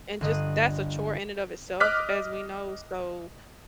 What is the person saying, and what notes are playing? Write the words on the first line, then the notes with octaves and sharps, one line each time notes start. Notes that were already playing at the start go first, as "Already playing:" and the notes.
and just that's a chore in and of itself as we know, so,
G1 D3 D#5 F#6 D#7
D#5 D6 F6 F#6 B6